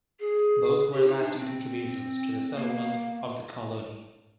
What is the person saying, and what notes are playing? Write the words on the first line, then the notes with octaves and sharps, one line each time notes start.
Both were lasting contributions to the settlement of the colony.
G#4
G4
D#4
D4
C4
A#3